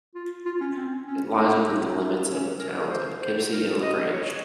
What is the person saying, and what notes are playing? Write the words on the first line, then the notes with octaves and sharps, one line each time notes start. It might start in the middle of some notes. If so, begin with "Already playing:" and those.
It lies within the limits of the towns of Poughkeepsie and LaGrange.
F4
F4
C#4
C4
C#4
D#4
D#4
C#4
A#4
C5
C5
A#4
D#5
C#5
D#5
C#5